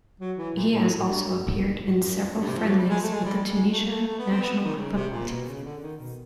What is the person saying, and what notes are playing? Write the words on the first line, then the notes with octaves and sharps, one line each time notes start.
He has also appeared in several friendlies with the Tunisia national football team.
F#3
E3
A#2
A2
A2
G2
F#2
A2
G#2
G2
G#2
G2
F2
F#2
F2
F#2
G2
C3
F3
F#3
G3
G#3
A3
G#3
G3
G3
G#3
A3
A3
A3
B3
C4
B3
D#3
C#3
C3
A#2
B2
C#3
D3
D#3
B2